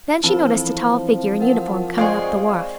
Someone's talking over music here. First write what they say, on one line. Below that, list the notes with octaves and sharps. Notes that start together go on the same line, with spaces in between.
Then she noticed a tall figure in uniform coming up the wharf.
E3 F3 C4 A4
A#4 F#5
G#3 C4 G#4 D5 F5 C#6 C7